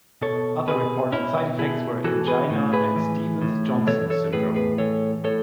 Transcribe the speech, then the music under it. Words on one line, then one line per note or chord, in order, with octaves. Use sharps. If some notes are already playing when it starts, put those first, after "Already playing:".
Other reported side-effects were angina and Stevens-Johnson syndrome.
B2 A4 C#5
B2 G#4 B4
B2 C#4 E4
B2 E4 G#4
E3 F#4 A4
G#4 B4
A2
G#4 B4
E3
A2
E3 A4 C#5
A4 C#5
A2 G#4 B4
G#4 B4
E3 A4 C#5
A2 A4 C#5